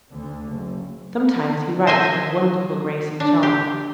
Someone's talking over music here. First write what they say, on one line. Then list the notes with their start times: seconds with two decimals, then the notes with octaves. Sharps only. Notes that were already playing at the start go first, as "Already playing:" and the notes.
Sometimes he writes with wonderful grace and charm.
0.11 D2 D3
0.49 F#1
1.87 C5 D#5 E5 G#5
3.20 D4
3.43 G4